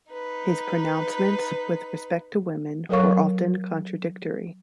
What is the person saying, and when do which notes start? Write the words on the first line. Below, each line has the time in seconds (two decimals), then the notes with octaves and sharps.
His pronouncements with respect to women were often contradictory.
0.13 D#4 B4
2.89 F#3 A4 A#4 C#5 F5 C#6